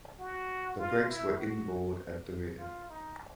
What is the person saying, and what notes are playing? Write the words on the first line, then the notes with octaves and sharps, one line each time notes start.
The brakes were inboard at the rear.
F#4
F4
E4
F#4
F4
D#4